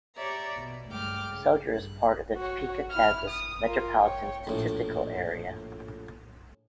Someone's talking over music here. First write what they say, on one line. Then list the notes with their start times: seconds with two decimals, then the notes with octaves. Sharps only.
Soldier is part of the Topeka, Kansas Metropolitan Statistical Area.
0.16 G4 C#5 D5 E5 A#5
0.56 B2
0.88 D2 G2 G#3 G5 D6 F6
1.32 C#3
1.75 G2 F#6
2.36 F#4 C#5
2.91 E4 F6
3.29 D#6
3.66 F4 A#4
3.99 C#5 G5
4.47 A#1 A2